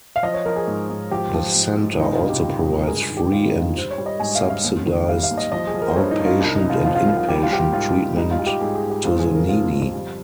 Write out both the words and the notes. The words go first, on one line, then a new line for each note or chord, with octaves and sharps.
The centre also provides free and subsidised out-patient and in-patient treatment to the needy.
F5
F3 D#5
C#5
F3 A#4
G#4
G#2
G#2
F3 G4
F3
G#2
G#2
C#2 D#4
F4
C3
G4
G3
C#2
A#4
G2 G#4
G#4
D#3
G4
G3 F4
D#4
G2
F4
G3 C5
C#5
G3
D#5
G#2 G#5
F5
G#2
F5
D#2
D#3
G3 F5
F5
D#2
D#5
F3 D#5
G#4
F3
A#4
C5
G2 C#5
D#4
G2
F4
C2 D#4
D#4
C3
F4
F3 F4
F4
C2 F4
F4
G3 G4
F4
G3 G4
F4
G#2 F4
G#2
G3 D#4
F4
G3
G4
G#2 G#4
G#4
G#2
G4
F2 F4
G#4
C#3
A#4
F3 F4
F2
G3